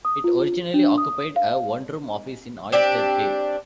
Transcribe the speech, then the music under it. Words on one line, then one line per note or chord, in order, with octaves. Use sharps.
It originally occupied a one-room office in Oyster Bay.
D#6
F4
D4
D#6
F5
C4 D4 G4